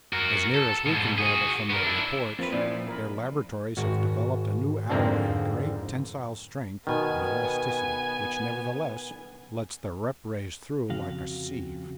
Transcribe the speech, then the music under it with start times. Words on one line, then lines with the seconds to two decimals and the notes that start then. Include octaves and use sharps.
As near as we can gather from their reports, their laboratories have developed a new alloy of great tensile strength and elasticity which nevertheless lets the rep rays through like a sieve.
0.13 F#4 A#4
0.55 A4
0.86 G#2 B2
1.18 F#4 G#4
1.70 B3 A#4
1.83 D4 E4
2.39 F2 A#3 C4 F4 B4
2.52 A#2 F3 C#4 E4 D5
2.88 A#4 B5
3.77 G#1 F#4
4.90 F2 G#2 D3 A#3 C4 D4
6.87 B2 D#3 B3 G#5
10.90 F2 C#3 F#4 F5